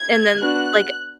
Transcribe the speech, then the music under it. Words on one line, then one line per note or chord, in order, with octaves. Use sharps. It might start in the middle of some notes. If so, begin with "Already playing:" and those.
and then, like,
Already playing: G#6
B3 D4 F#4 F#6